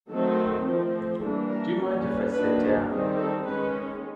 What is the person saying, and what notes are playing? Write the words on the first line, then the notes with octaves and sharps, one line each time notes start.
Do you mind if I sit down?
D#3 F#3 A3 C4 A4
F3 A3 C4
E3 G3 A#3 D4 A4
A#4
G3 A#3 C#4
B4
D#3 F#3 A#3 D4 B4
D#3 G3 C4 G#4
A4
D#3 G#3 C#4 B4